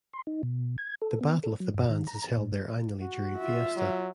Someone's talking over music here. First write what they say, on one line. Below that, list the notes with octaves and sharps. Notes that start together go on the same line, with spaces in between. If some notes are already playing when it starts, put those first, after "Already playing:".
The Battle of the Bands is held there annually during Fiesta.
C6
D#4
B2
G#6
A4
B3
A4
F#3
G2
D#3
A#5
A2
F#4
F4 E5
F#3